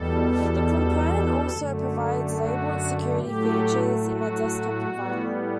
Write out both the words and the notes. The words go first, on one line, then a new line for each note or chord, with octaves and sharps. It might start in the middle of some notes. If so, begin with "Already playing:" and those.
The component also provides labeled security features in a desktop environment.
Already playing: E2 B2 G3 A4
F#2 D3 A3
F#4
A2 F#3 A3 G4
F#4
A2 G3 B3